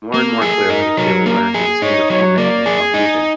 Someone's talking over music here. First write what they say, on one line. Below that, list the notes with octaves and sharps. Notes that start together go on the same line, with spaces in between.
More and more clearly they will learn to distinguish homemaking and homekeeping.
A#3
A4
G#4
D#4 A#4
F#3 A#4
A#3 A#4
G#4
D#4 C#5
F#3 C#5
A#3 D5
G#4
G#5
D#4